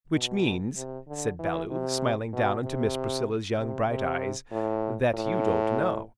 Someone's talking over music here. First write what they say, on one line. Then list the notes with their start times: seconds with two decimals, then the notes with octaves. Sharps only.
"Which means," said Bellew, smiling down into Miss Priscilla's young, bright eyes, "that you don't know."
0.14 B2
0.76 C3
1.07 D3
1.39 E3
1.70 C3
2.33 B2
2.64 C3
3.58 C3
3.89 C3
4.52 A2
5.14 A2